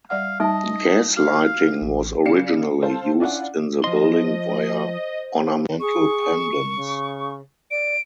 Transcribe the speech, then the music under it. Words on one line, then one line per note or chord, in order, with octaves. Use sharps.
Gas lighting was originally used in the building via ornamental pendants.
G3 D5 F5 F#5
G3 D#4 D#5 A5
F#4 F5
A1
C#3 D5 F5 C7 C#7 E7
A4 C5 F5 A5
C#4 D4 E4 F4 D5 F#5
F3 C5 D#5 C6
G#4 C#6
C#3
D5 D7